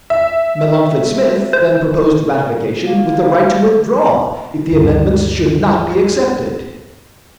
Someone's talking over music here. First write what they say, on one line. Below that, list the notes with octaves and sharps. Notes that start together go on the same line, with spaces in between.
Melancthon Smith then proposed ratification with the right to withdraw if the amendments should not be accepted.
E5
C5
A#3
D2 G2